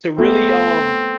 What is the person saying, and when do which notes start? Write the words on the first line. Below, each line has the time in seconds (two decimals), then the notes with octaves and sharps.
to really, um,
0.18 A3 B3 C4